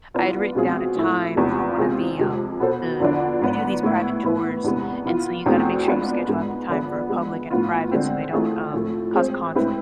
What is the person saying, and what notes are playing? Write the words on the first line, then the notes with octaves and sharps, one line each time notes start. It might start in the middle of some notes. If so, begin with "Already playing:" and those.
I had written down a time for one of the, um the we do these private tours, and so you gotta make sure you schedule out the time for a public and a private so they don't, um, cause a conflict.
E3 B3 D4 F4 B4
B2 G#3 C4 F4 G#4
A2 F3 A3 E4
E2 C3 F3 G#3 B3
C3 G#3 C4 F4 G#4
F2 C3 G#3
B2 B3 F4 A4 C5
E2 D3 F3 B3 D4
G#2 F3 B3 D4
A2 G#3 B3 E4
A2 E3 B3 E4 B4
E2 C3 G#3 B3
E3 B3 F4
E2 B2 A3 C4 G#4
G#3 B3 D4 F4
G#2 G#3 B3
D3 F3 B3 D4 G#4
G#3 B3 F4
A2 F3 B3 F4
D3 G#3 C4
E3 A3 C4 F4 G#4
A2 F3 A3
G#3 C4 G#4 C5
A2 G#3 C4 E4 B4